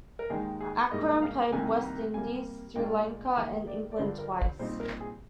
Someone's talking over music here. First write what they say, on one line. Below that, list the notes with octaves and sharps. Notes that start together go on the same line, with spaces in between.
Akram played West Indies, Sri Lanka and England twice.
A#4
D#2 D#3 G#3 D#4 G#4
G#4
G#2 G3 A#3 D#4 D#5
F5
C2 C3 D#3 G3 A#3 G#5
A#5
C3 G3 A#3 G#5
A#2 G#3 D4 F4 G5
G5
D#2 D#3 A#3 D#4 F5
D5
D5
G2 D3 G3 D4 F4 C5
A#4
C5
A#2 G3 C4 D#4 C5
A#4
G#4